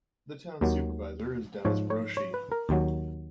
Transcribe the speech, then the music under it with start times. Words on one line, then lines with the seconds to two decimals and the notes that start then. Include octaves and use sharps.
The Town Supervisor is Dennis Brochey.
0.61 D#2 D#3 F#3
1.65 G#2 F3 C#5
1.90 C#5
2.17 C#5
2.34 B4
2.52 A#4
2.69 D#2 D#3 F#3